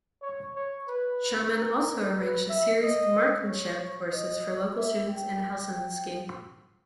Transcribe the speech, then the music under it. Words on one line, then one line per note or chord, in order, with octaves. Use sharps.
Schauman also arranged a series of marksmanship courses for local students in Helsinki.
C#5
C#5
B4
A#4
B4
E5
D#5
C#5
D#5
E5
G5